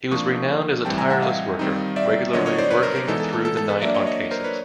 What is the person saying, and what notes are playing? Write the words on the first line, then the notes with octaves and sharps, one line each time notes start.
He was renowned as a tireless worker, regularly working through the night on cases.
F3 A#3 D4 C#6 D#6
A2 E3 G3 C4 G5 A5
G#5 A#5
E5 F#5
D#5 F5
D#3 G3 C4 D#4
D5 E5
D3 F#3 B3 C#5 D#5
C#5 D#5
C5 D5
B4 C#5
A#4 C5
A#4 C5
E3 G#3 B3 D#4 A4
A4
A4
A4
A4
A4 B4
F#3 A#3 D4 D5 E5
C#5 D#5
C#5 D#5
A#4 C5
B4 C#5